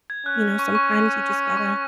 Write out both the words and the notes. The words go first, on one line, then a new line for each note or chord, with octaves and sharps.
you know, sometimes you just gotta
G#6
C#4 F#6
C#6
C#6
C#6